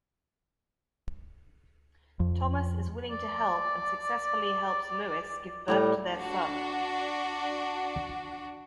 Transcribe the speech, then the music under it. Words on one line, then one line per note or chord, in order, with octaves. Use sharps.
Thomas is willing to help and successfully helps Lois give birth to their son.
F2
D5
A2 G3 A#5
D4 F#4